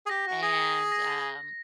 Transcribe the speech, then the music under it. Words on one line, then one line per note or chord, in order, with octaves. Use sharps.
and, um,
G#4
G4 A#6
F#4
G#4 A#6
A#6